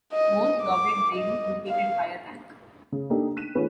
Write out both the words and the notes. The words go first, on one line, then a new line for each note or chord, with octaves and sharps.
More elaborate braiding indicated higher rank.
D#5
D6
D#5
F5
C#3
A#3 D4 D#4 G4 A4
F#6 B6 D#7 E7
D#3 A3 C#4 F4 G#4 B4